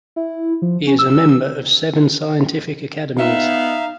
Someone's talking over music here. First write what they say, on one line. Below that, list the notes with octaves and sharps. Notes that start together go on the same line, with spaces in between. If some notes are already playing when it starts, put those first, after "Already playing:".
He is a member of seven Scientific Academies.
E4
F3
C#4
E6
B3 D#4 E5 F5